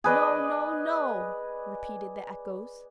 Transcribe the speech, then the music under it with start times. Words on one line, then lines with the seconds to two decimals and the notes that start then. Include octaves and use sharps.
'No, No, No!' repeated the echoes.
0.04 G#4 B4 D5 D#5